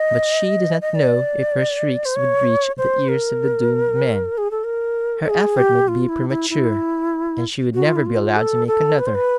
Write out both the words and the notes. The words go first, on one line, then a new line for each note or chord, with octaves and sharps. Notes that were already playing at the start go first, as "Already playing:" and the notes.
But she did not know if her shrieks would reach the ears of the doomed men. Her effort might be premature, and she would never be allowed to make another.
Already playing: D#5
D#5
D#5
D5
C5
C#5
C5
A#4
G#4
A4
A#4
A4
G#4
G4
F4
E4
E4
E4
F#4
F4
E4
F4
A4
A4
B4
C5
B4